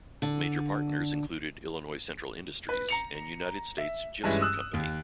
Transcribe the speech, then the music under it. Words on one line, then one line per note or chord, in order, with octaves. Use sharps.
Major partners included Illinois Central Industries and United States Gypsum Company.
D3
B4
A#5 C#7 F7
E5
G2 E3 G#3 C#4 E4
D#6 E6 F#6
D#2